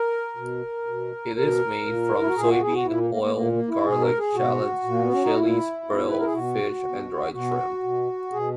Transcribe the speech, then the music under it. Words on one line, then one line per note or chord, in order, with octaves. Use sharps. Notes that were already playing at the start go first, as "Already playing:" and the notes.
It is made from soybean oil, garlic, shallots, chilies, brill fish and dried shrimp.
Already playing: A#4
B2
B2
B2 A#4
A#2
E4
F#4
A#2 G#4
E4
F#4
G#4
E4
F#4
A#2 E4
A#3
A#3
A#3
A#2 A#3
A#3
E4
B2 G#4
A#4
G#4
B2 F#4
A#2
A#3
B3
C#4
D#4
A#2 E4
B2
B4
A#4
G#4
B2 F#4
B2
B2 F#4
B2
B2 G#4